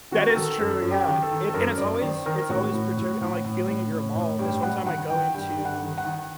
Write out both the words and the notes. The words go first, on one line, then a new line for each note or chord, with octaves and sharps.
That is true, yeah, it and it's always it's always perturbed I'm like, feeling at your mall. This one time I go into
D#3 F#4
A#4
D#3 A4
F#2 A4
F#2
G4
D#3
A4
D#3
A4
F#2 A#4
F#2 D5
D5
D#3 C5
D#3 A#4
A2 F#4
A2
A2
A2
A2
A2
A2
A2
G2 G4
G2 F#5
D#3 F#5
D#3 G5
G2 G5
G2
F#5
D#3
F#5
D#3